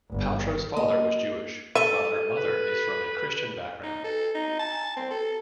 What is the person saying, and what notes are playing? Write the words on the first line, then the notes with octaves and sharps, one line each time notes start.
Paltrow's father was Jewish, while her mother is from a Christian background.
G1
A#3 D#5
A4 E5 D#7
B4
D#4
A4
D#4
A5
C4
A4